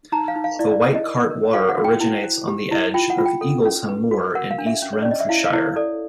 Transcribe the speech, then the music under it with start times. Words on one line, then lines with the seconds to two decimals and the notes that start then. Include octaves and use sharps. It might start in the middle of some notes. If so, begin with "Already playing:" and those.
The White Cart Water originates on the edge of Eaglesham moor in East Renfrewshire.
0.12 D#4 A#5
0.28 F5
0.36 D#4
0.44 F5
0.59 E4 D5
0.72 D5
0.83 C5
0.95 D#5
1.06 A#4
1.30 A#4
1.54 F#4 F5
1.69 F#5
1.77 F#4
1.84 G5
2.00 E4
2.24 C5
2.47 G4
2.71 E4
2.94 F4 G5
3.10 F#5
3.18 F4
3.26 G5
3.41 A4
3.65 C#4
3.89 B4
4.11 F#4
4.35 A#4 F#5
4.51 F5
4.58 D4
4.66 E5
4.82 C#4
4.93 C#5
5.02 C#4 D5
5.11 D#5
5.20 E5
5.29 E4 F5
5.45 F5
5.53 E4
5.61 C#5
5.76 A4 D5